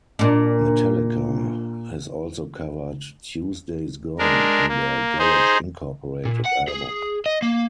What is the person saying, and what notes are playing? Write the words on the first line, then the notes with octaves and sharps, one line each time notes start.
Metallica has also covered "Tuesday's Gone" on their "Garage Incorporated" album.
A#2 D4
G#3 D4 A#4
A#3
D#4 G#4 C5
A#2
F#5
G#4
D#5
A#3